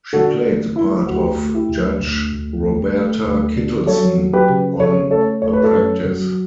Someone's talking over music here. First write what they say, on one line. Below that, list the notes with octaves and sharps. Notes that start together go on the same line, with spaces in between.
She played the part of Judge Roberta Kittleson on "The Practice".
D3 F#4 A4
A3
A3 E4
D2 F#4
G4
F#4
A3
E4 G4
D2
D2
D2
A3
A3
D2
D3
F#3 A4 C#5
F#3
G4 B4
C#3
C#3 A4 C#5
A3 A4 C#5
A3 C#5
B4
A4 C#5
F#2
F#3